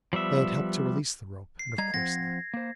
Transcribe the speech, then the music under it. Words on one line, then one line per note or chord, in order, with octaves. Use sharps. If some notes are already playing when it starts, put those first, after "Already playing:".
They had helped to release the rope, and of course not.
F3 G3 B3 E5
C7
G3 D#5 A#5 G#6
F3 C4 F#5 A#6
A#3 C5